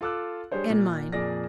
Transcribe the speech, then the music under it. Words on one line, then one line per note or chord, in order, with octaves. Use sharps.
"And mine."
F4 A4 D6 E6 F#6
G3 D4 G#4 C5 C#5
A#2
F2 A#2 G#4 D5 A#6